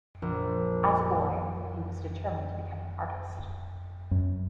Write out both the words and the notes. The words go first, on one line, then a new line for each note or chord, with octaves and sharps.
As a boy, he was determined to become an artist.
A#1
F#2